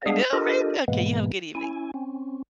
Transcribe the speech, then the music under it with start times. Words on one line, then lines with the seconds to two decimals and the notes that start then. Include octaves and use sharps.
I know, right? Okay, you have a good evening.
0.06 G3 G#3 B3 D4 G#4 F5
0.33 D4 F4 G4 A4 A#4 D#5
0.88 G#2 B2 E3 G#3 A#3 B3
1.55 C#4 E4 G#5
1.94 C4 C#4